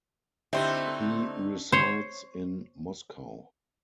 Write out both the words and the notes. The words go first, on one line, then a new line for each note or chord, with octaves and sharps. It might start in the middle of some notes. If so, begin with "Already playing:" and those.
He resides in Moscow.
D3 A3 C4 D#4 E4 G4 C5 E5
C5 C#5